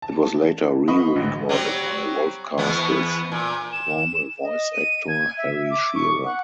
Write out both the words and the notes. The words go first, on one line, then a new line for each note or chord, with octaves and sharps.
It was later re-recorded by Wolfcastle's normal voice actor, Harry Shearer.
A5
B4 D#5 F5 B5 C#6
A1 G#2 D3 F#3
F#3 G3 C4
E2 B3
A#2
E7
D#5
D#7
G#6
E5
D6
C#6
F#5